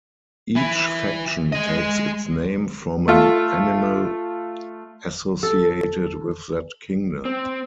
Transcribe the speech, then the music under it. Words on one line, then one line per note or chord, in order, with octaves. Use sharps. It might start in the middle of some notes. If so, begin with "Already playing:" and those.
Each Faction takes its name from an animal associated with that kingdom.
E3 E4
G#3 D#5
A3 F4
A4
C4